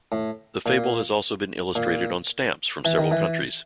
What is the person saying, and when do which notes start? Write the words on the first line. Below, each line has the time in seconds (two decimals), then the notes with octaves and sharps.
The fable has also been illustrated on stamps from several countries.
0.12 A2
0.66 A#2
1.75 A#2
2.85 E3
2.98 D#3
3.11 E3